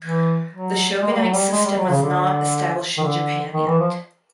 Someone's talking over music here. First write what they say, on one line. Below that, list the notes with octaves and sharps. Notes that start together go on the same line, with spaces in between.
The shogunate system was not established in Japan yet.
E3
F#3
G#3
G3
F#3
G3
G#3
G3
F#3
C#3
D3
D#3
D3
D#3
E3
F3